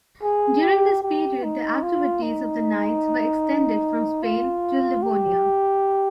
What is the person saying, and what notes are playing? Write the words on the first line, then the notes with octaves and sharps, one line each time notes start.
During this period the activities of the Knights were extended from Spain to Livonia.
G#4
G4
G4
D#4
F4
D#4
F4
G4